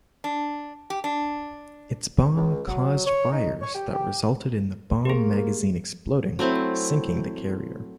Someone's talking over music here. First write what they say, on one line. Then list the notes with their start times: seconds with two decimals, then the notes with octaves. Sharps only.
Its bomb caused fires that resulted in the bomb magazine exploding, sinking the carrier.
0.24 D4
0.90 G4
1.04 D4
2.35 C#2
2.68 F#3
3.06 C#5
3.32 D#4
3.62 C#5
3.75 G4
3.93 G4
5.05 A#3 G4 G#4
6.39 F#3 A3 C4 E4